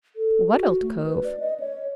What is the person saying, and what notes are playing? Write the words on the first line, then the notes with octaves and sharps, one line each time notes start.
"What old cove?"
A4
F#4
A3
B4
D5
D#5
C#5